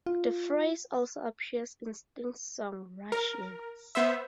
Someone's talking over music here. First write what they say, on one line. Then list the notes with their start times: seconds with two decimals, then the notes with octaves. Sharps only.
The phrase also appears in Sting's song "Russians".
0.06 F4
3.12 A#4
3.95 B3 C5 E5